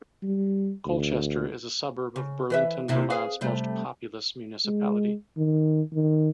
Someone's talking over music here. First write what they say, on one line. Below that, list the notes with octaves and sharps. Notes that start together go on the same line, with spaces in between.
Colchester is a suburb of Burlington-Vermont's most populous municipality.
G3
D2
C#3
E3 B4 E5
D#2 C3 E4
G#4 B4 F5
C3 G3 A3
G#3
D#3
D#3